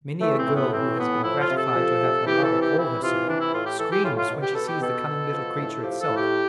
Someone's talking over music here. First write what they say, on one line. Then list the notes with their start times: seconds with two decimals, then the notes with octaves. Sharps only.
Many a girl who has been gratified to have her lover call her so, screams when she sees the cunning little creature itself.
0.21 E3 A3
0.38 C4
0.47 A2
0.55 B3
0.72 E3 C4
0.98 A2 B3
1.23 F3 E4
1.40 F4
1.49 C3
1.58 A4
1.75 F3
2.00 C3
2.26 E3 G4
2.43 A4
2.52 C3
2.60 G4
2.77 E3 E4
3.02 C3 F4
3.28 E3 D4
3.41 E4
3.53 A2 F4
3.66 G4
3.79 E3 A4
3.91 G4
4.04 A2 F4
4.17 F4
4.30 B2
4.43 G4
4.55 B2 A4
4.68 G4
4.81 B2 A4
5.07 B2
5.32 F3
5.57 A2
5.83 F3 G4
6.01 A4
6.09 A2
6.17 G4